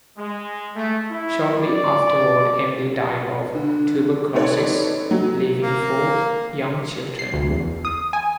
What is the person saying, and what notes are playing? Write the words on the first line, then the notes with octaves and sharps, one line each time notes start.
Shortly afterward Emily died of tuberculosis, leaving four young children.
G#3
A3
E4
D5
D3
C4 D#4 A4 B4 C#5 D5
F#3
A#3
C7
D2
E2
D#6
G#5